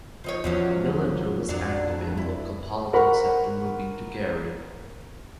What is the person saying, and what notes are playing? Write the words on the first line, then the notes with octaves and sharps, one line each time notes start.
Millender was active in local politics after moving to Gary.
F3 D#4 C#5
E2 F3 F#3 C#4
F2 F#3 D4
E4
A#4 C5 F#5 B5 C#6